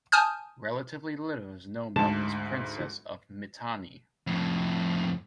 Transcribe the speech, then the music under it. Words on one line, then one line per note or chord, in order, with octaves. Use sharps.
Relatively little is known about this princess of Mitanni.
G#5 A5 D#6 F6 G6
D2 G#2 A5
F2 A2